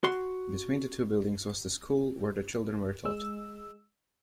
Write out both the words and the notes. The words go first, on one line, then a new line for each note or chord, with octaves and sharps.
Between the two buildings was the school where the children were taught.
F#4 C6
G#3 E6